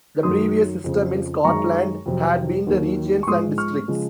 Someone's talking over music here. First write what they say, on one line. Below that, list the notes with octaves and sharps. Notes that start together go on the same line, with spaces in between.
The previous system in Scotland had been the regions and districts.
F#2 D#3 F#3 C6 D#6
F2 C#3 F3
F#2 D#3 G#3 A#5 C#6
F2 C3 F#3
D#2 D#3 F#3
C#6
G#2 F3 G#3 C6 D#6
C#6 F6
C#3 F3 G#3